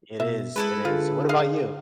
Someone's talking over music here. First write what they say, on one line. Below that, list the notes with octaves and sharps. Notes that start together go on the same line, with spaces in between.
It is, it is. What about you?
B2 E5
G#3 E4 G#4 A4 B4
D3 F4
D#5 F5